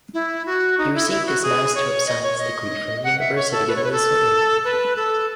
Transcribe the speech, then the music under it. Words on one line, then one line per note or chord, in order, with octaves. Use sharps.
He received his Master of Science degree from the University of Missouri.
E4
F#4
D#4
E4
E4
F#4
G#4
C#5
D#5
C#5
D#5
F#5
E5
C#5
A4
B4
C#5
B4
A4
B4
A4